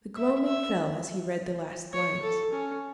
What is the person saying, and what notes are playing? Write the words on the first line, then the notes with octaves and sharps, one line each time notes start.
The gloaming fell as he read the last lines.
E5
E5
C#5
A4
C#4